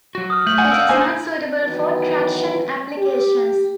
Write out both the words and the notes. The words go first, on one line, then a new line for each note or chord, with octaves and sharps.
It is not suitable for traction applications.
F#3 F#4
D#6 F6
A3 G6 F#7
F#5 G#5
A#4 F5 E6
A#3 D#4 C5 G#5
D#3 E3 F#3 B3 F#4 B4
G4